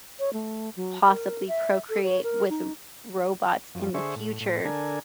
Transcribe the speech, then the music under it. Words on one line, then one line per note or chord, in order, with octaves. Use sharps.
possibly procreate with r robots in the future.
C#5
A3
F#3
A#4
E5
A4
C#5
A#4
D#4
F#2 F3
D3 G#4 C5 E5 C#6
A2
A2
D3 D4 A4 A#4 G#5